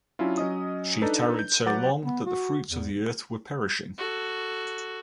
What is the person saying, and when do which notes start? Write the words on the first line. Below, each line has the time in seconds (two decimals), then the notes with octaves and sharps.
She tarried so long that the fruits of the earth were perishing.
0.19 F#3 C#4 D4 E4 F4
0.38 F#3 C#4 D#5 D#6
1.02 D4 D#4 A4 B4
1.39 G6
1.65 F#3 B4 F#5 D6 A6
2.05 B3
2.26 F#4
2.70 E2
3.98 F#4 A4